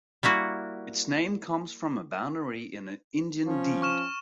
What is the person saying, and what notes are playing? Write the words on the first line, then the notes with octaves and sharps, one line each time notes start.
Its name comes from a boundary in an Indian deed.
G3 A#3 E4 F#4
F3 C#4
C#6 F6 E7